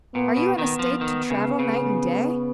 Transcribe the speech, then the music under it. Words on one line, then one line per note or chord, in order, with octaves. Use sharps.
Are you in a state to travel night and day?
A#2 B3
B2
D#3 B3
F3
D#3
C#3
C#3